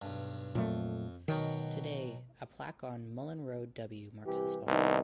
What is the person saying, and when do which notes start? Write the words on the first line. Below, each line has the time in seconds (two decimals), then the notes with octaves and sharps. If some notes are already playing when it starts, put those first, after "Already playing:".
Today a plaque on Mullan Road W. marks the spot.
0.02 B1 G2
0.55 F2 A#2 F#3 A3
1.28 B2 D#3 F#3 G5
4.24 C2 E3 G4
4.67 C2 D#3 B3 D#4